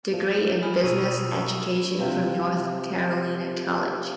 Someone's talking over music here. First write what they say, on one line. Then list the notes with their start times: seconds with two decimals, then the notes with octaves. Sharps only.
Degree in Business Education from North Carolina College.
0.14 F3
0.63 G#5 B5 D#6 F6
0.83 B2 A#5 C#6 D#6 E6 G#6 D#7
1.99 C3 F3 C5 E5